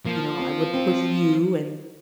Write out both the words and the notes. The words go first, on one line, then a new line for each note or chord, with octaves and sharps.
you know, "I wouldn't push you and
F3 A#3
C4
C4